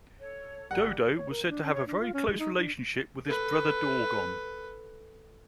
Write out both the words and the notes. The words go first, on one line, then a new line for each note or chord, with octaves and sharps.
Dodo was said to have a very close relationship with his brother Dorgon.
A4 C#5
D1 G1 G3 G4 A#4 F#5
C#5
A#4
D4
C#4
C#5
D4
F4
C#4
G#3
D#4
D4
A4 B4